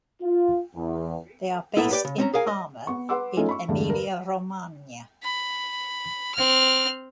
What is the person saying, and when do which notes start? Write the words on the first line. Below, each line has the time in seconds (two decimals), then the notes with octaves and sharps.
They are based in Parma in Emilia-Romagna.
0.22 F4
0.76 E2
1.77 B1 A2 A3 B3 E4
1.91 G4 B4 D5 F#5 G5
2.05 C#3
2.18 C4 C#4 A#5
2.34 G#4 A#4 F5 G#5
2.47 D#5
2.87 B3 C#6
3.09 B4 F#5 C6 D6 E6
3.37 A3 C#4 D#4 F4 A4
3.49 B5 C#6
3.68 E2 G2 D3 A3
3.90 A#4 B4
5.23 B5
6.35 C4 F6